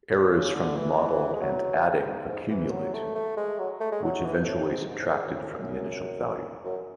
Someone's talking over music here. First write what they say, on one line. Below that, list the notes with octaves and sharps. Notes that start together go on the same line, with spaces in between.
Errors from the model and adding accumulate, which eventually subtracted from the initial value.
B2
B2
C#3
D3
E3
G#3
F#3
C#3
G#2
G#2
E3
F#3
A3
A3
G#3
F#3
A3
G#3
F#3
E3
B2
A2
G#2
G#2
A2
G#2
F#2
A2
F#2
F#2
F#2